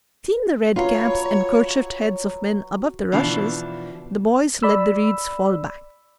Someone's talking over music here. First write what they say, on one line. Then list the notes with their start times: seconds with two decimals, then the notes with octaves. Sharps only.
Seeing the red caps and kerchiefed heads of men above the rushes, the boys let the reeds fall back.
0.76 F#3 F4 B4 C#5
3.12 B2 E3 F3 D4
4.63 D5 B5 E6